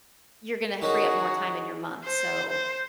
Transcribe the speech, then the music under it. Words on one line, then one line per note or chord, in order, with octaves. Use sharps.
you're gonna free up more time in your month, so,
D#3 C#4 D#4 F#4 G#4
C5
C5